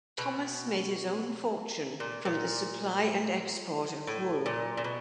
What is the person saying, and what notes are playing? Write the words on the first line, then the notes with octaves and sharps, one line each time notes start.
Thomas made his own fortune from the supply and export of wool.
B2
A#2
A#2
A2
A#2
A#2
B2